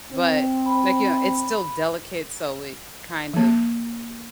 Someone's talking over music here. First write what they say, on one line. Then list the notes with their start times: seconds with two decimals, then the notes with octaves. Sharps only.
but like, you know, it's still delicate, so it kind of
0.12 C4
0.66 B5
3.34 F3 A#3